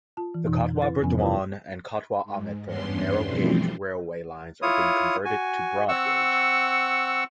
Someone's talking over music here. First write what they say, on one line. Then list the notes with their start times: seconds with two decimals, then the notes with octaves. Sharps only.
The Katwa-Burdwan and Katwa-Ahmedpur narrow gauge railway lines are being converted to broad gauge.
0.17 F4 A5
0.34 E3
0.47 F2 B2 E3 D#4
0.82 E4 B4 A6
1.03 F2 C3 F3 B3 C#4 G#5
1.19 E4 F4 A#4 B4 C#5
2.24 G#2
2.66 E2 G2 B3 C#4 D4 C6
3.23 B2 E3 F3 G3 A3 C4
4.62 E4 F4 C#5 D#6
5.25 F#4 G#5
5.88 C4 F#5 C#6 E6